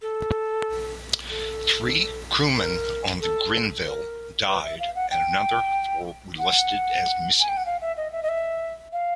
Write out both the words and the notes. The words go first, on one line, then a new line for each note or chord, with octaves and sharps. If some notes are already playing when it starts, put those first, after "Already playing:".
Three crewmen on the "Grenville" died and another four were listed as missing.
A4
A4
A#4
A4
A#4
B4
E5
F5
F#5
G5
F#5
G#5
G5
F#5
F5
E5
D#5
E5
D#5
E5
F5